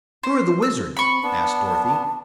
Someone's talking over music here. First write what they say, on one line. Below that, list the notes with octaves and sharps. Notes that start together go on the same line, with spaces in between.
"Who are the wizards?" asked Dorothy.
C5
E6
C4 B5 C#6
B3 D4 A5